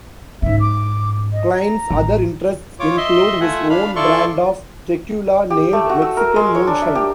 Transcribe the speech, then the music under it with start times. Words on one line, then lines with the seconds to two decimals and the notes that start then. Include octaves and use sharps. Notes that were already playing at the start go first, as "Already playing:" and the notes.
Clyne's other interests include his own brand of tequila, named Mexican Moonshine.
0.42 G#2 C#4 E5
0.60 D6
1.33 D#5
1.56 A#5
1.91 A1
2.80 F4 C#5 D6
2.97 D#5 E5 C6
3.41 A3 F4 E5 F#5 G#5
3.69 D4 F5 B5
3.96 E4 F4 A4 D5 C6 C#6
5.50 G4
5.73 A3
5.89 F#4
6.02 E6
6.17 A#4
6.36 G#3
6.55 C#5
6.67 D4
6.82 E5
6.95 G4